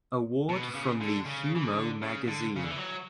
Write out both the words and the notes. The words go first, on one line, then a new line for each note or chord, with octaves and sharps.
Award from the Humo magazine.
B2
C#3
D3
C#3
E3
D3
C#3
D3
C#3
D3
E3
F#3